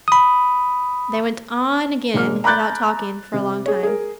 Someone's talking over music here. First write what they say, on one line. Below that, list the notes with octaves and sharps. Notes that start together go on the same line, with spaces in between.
They went on again, without talking, for a long time.
B5 D#6
E1 G#3 A#3 F6
A#5 B5 D6 F#6 G6 A6
C3
G#4 C#5
G#4 A#4